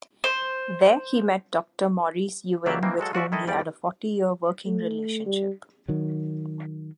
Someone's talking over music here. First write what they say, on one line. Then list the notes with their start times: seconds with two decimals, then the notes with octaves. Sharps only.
There he met Doctor Maurice Ewing with whom he had a forty-year working relationship.
0.24 C5
2.66 C#2 F#3 A#3 G4 D5 E5
2.83 D#3 E3 A#3 C4
2.98 F#3 G#3 F#4 A4
3.13 F4 F#4 D5 E5
3.32 D#3 E4 A4 D#5
3.47 E2 G3 D5
4.65 A3
5.26 G3
5.88 D#3 F#3